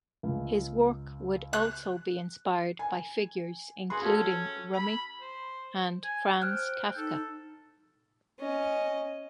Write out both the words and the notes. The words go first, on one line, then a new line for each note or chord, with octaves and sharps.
His work would also be inspired by figures including Rumi and Franz Kafka.
C#2
F#6
G#5
F#4 G#4 C6
C#4 F#4 A4
B5
C5
G#5
C5 G5 F6 F#6
D#4 A4
C#4 D#5